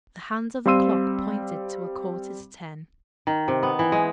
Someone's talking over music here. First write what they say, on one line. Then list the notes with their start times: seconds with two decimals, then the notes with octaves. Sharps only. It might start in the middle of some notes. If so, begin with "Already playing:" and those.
The hands of the clock pointed to a quarter to ten.
0.66 G3 C4 F5 C6 E6 D#7
3.27 D#3
3.48 C3
3.63 B3
3.79 E3
3.92 G#3